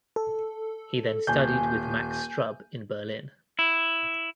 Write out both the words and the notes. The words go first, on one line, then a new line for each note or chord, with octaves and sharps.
He then studied with Max Strub in Berlin.
A4
D#1 G#5 G6
E4